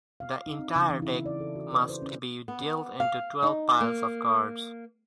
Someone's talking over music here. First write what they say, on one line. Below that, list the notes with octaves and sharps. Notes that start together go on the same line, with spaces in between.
The entire deck must be dealt into twelve piles of cards.
F5
D#4
C4
C#3
E3
E4
D5
A4
F#4
B4
C5
C#4
B3
F5
D#4
A#3